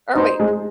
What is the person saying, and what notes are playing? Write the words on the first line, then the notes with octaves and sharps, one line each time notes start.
Or, wait,
D#4 C5
G#3